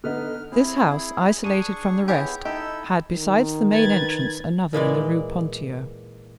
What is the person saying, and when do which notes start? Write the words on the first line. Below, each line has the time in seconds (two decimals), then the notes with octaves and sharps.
This house, isolated from the rest, had, besides the main entrance, another in the Rue Ponthieu.
0.04 D3 B3 D#4 F6
0.52 C4 E4 G#4
1.44 D4 G#4 C#6 D#7
2.08 B3 E4 G4 G#4 C#5
2.45 D#4 E4 G4 A4 E6
3.11 D#3
3.72 B4 G#6 A6
4.73 A#2 E3 G#3 D5